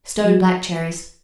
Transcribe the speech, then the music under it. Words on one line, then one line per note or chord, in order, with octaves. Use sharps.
Stone black cherries.
F#3